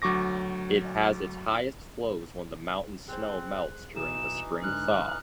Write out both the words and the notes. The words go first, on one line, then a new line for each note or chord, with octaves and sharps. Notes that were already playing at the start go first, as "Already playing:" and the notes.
It has its highest flows when the mountain snow melts during the spring thaw.
D2 F#3 C#6 D6 A#6
C4 G#4 C5 F#6
B1 E3 D#4 E7
G#2 D3 F6 F#6